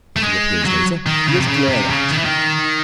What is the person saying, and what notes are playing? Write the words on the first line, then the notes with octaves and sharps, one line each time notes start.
If he appears later, he is glared at.
A3
G#3
F#3
D#3
C#3
C3
C#3
C3
C#3
D#3
E3
D#3